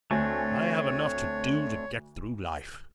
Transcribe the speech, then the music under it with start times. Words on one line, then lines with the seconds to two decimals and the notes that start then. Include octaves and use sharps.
I have enough to do to get through life.
0.11 D2 A3 C4 D4 C#5 G#5